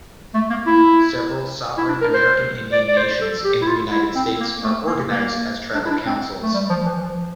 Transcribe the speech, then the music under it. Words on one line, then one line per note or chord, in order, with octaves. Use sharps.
Several sovereign American Indian Nations in the United States are organized as Tribal Councils.
A3
A#3
E4
E4
D4
A#4
C5
D5
D5
C5
A4
G4
E4
F4
E4
C4
A#3
A3
A#3
A#3
D4
E4
D4
C4
A3
G3
F3
E3
F3